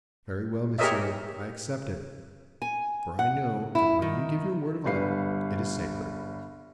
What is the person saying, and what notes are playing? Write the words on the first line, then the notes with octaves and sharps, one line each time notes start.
"Very well, monsieur, I accept it; for I know that when you give your word of honor, it is sacred."
G4 G#4 A#4 C#5 D#5 E5
G#5
F#5
E4
D#3
G1 G3 B4 F5 C7